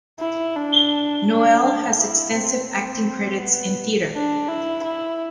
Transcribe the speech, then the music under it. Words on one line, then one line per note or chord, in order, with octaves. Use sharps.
Noel has extensive acting credits in theatre.
E4
D4
D4
D4
E4
C4
C4
B3
D4
E4
E4